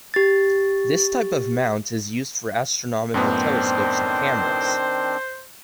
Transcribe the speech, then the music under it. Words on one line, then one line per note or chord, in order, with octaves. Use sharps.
This type of mount is used for astronomical telescopes and cameras.
G4 A6
F#2 A2 D#3 B3 C4 D4 C5